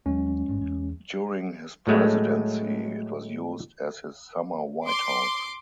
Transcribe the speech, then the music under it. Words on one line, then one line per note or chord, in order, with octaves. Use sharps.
During his presidency, it was used as his Summer White House.
D#2 F#3 G#3 C#4
G#1 G2
E2
A2 F#3 G#3 A3
C6 D6